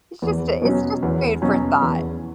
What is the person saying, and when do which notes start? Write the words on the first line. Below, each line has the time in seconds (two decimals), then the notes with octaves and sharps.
it's just it's just food for thought.
0.22 E2
0.62 B2 F#3 C#4
1.03 E2
1.42 B2 F#3 C#4
1.81 E2